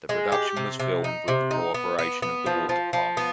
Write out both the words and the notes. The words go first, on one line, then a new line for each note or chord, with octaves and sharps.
The production was filmed with the cooperation of the War Department.
G#3
G4
C3
C3
D#4
C3
D#4
B3
B3
B3
F3
F3
F3
B3